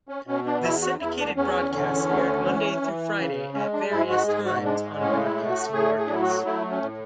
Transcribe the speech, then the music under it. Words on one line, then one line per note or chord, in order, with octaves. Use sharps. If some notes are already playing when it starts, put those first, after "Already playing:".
The syndicated broadcasts aired Monday through Friday at various times on broadcasting markets.
C#4
B2 C#4
D4
E2 E4
F#4
E2 E4
D4
E2 C#4
D3
D2
E3
E3
C#3
G#3 C#4
D4
G#2 E4
F#4
G#2 G#4
F#4
G#3 D4
A2 C#4
E4
A3
F#4
A2 G#4
G#4
D4
F#3 E4
F#4
A3 E4
C#4
A2